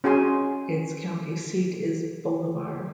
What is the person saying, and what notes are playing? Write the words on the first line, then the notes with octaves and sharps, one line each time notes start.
Its county seat is Bolivar.
C#4 F#4 G#4 G#5 C6